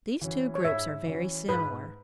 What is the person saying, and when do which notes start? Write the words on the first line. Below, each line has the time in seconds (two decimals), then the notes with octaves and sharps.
These two groups are very similar.
0.21 E3 C#4 F#4
0.55 C#5
0.64 G#2 E5
1.06 E3 C#4 F#4
1.48 G#2 B4